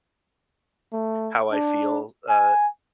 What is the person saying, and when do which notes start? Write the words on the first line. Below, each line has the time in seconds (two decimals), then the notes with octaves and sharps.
how I feel. Uh,
0.93 A3
1.52 D4
2.29 G#5